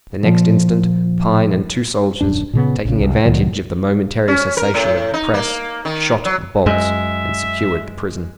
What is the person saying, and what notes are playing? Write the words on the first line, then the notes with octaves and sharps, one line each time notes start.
The next instant, Pine and two soldiers, taking advantage of the momentary cessation of the press, shot the bolts, and secured the prison.
A#2 F3
D#1 F#2 D4
A#2 C#3 B3
A#1 C#3
C2
C2 A2 D#3 F#3
C#4
A#4
A2
D#4
A#3
D#3
F#3
F#2 G#3 E5